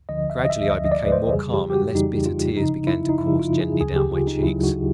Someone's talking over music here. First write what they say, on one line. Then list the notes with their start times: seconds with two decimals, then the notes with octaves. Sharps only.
Gradually I became more calm and less bitter tears began to course gently down my cheeks.
0.09 D2 D3 F3 D#5
0.30 E5
0.45 D#5
0.50 E5
0.71 D2 D3 F3 D#5
0.85 D#5
0.92 D5
1.07 B4
1.12 C5
1.33 F2 C#3 E3 G3 G#4
1.54 G4
1.70 G4
1.74 F#4
1.95 F2 C#3 E3 G3 D#4
2.26 F4
2.56 F#2 C#3 F3 D#4
2.87 E4
3.09 D#4
3.18 F#2 C#3 F3 E4
3.39 F4
3.60 G#4
3.81 D2 C#3 F#3 G#4
3.96 G4
4.12 F4
4.27 D#4
4.43 D2 C#3 F#3 E4
4.63 F#4